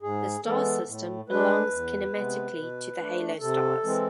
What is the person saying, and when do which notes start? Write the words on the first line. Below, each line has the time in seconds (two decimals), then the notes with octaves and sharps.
The star system belongs kinematically to the halo stars.
0.03 G#2 G#4
0.45 E3 G#3 B3 A4
0.87 A2
1.29 G#3 D4 B4
1.71 E2
2.14 C3 G#3 B3
2.57 B2
2.98 A3 D4
3.41 C3 A4
3.84 E3 G#3 C4